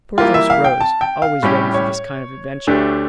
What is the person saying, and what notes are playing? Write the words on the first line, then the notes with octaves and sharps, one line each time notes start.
Porthos rose, always ready for this kind of adventure.
E3 G3 A#3 E4 F4 G4
E5
F5
G5
A5
G5
F5
A2 G3 C#4 G4
C#5
D2 D3 A3 D4 G4